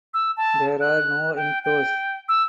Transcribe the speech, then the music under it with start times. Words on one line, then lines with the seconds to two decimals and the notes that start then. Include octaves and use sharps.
There are no inflows.
0.14 E6
0.37 A5
0.81 F#6
1.36 G5
1.64 G5
2.29 E6